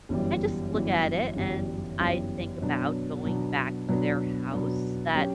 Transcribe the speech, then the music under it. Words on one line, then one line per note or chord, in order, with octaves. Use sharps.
I just look at it and I think about going back to their house that
G1 F#2 E3 G3
G1 F#2 E3 G3
G1 F#2 E3 G3
G1 F#2 E3 G3
B2 F#3 B3 D4
B2 F#3 B3 D4
B2 F#3 B3 D4
B2 F#3 B3 D4
F#3 C#4 G4